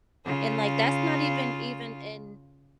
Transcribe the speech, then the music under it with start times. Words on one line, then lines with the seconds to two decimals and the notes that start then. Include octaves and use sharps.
and, like, that's not even even in
0.25 C#3 F4